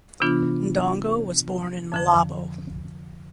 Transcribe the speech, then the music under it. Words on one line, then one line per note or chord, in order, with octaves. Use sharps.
Ndongo was born in Malabo.
C3 E3 B3 D4 F4
F2 D3 F3